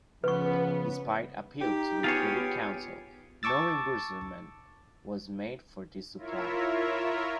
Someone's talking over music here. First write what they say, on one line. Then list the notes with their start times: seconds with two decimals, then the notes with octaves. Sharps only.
Despite appeals to the Privy Council no reimbursement was made for these supplies.
0.24 C#3 F3 B3 B4 C#6
1.61 D#4 G4
2.04 B3 F4 G#4 C#5
3.43 A5 C#6 D6 E6 A6
6.17 E4 F4 A#4 C#5 E5